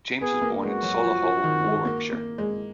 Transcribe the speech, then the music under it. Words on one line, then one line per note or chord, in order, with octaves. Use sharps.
James was born in Solihull, Warwickshire.
B3 G#4
A#3
G#3 F#4
F#3
F3
F3
D#3
G#3
A#3
A#3
G#3